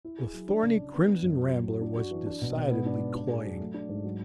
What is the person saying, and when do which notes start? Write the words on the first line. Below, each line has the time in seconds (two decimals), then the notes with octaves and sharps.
The thorny crimson rambler was decidedly cloying.
0.05 E4
0.19 G#4
0.33 F#3
0.49 D4
0.63 C#3
0.78 C#3
0.94 B3
1.07 D4
1.22 F#2
1.37 F#4
1.52 F#3
1.67 F#3
1.81 D4
1.97 F#4
2.11 E3
2.27 D4
2.42 B2
2.56 B2
2.71 B3
2.86 D4
3.00 G#2
3.15 D4
3.31 G#4
3.45 F#3
3.60 A3
3.74 D4
3.89 G#2
4.04 F#3